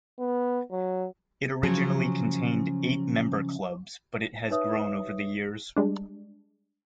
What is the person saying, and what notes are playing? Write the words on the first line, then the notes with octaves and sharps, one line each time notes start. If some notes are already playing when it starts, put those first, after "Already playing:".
It originally contained eight member clubs, but it has grown over the years.
B3
F#3
C#3 F3 F#3 C#4 A5
D#4 B4 C#5 E5 D#6
G3 G#3 D4